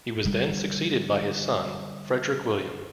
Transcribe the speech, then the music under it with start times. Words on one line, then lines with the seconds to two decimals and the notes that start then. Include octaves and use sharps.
He was then succeeded by his son, Frederick William.
0.25 D3 G3